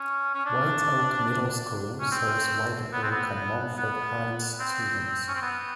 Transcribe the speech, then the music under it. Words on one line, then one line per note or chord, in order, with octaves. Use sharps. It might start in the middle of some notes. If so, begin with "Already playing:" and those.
White Oak Middle School serves White Oak and Monfort Heights students.
Already playing: C#4
C#4
D4
C#4
C4
B3
C4
B3
B3
C4
C#4
C4
B3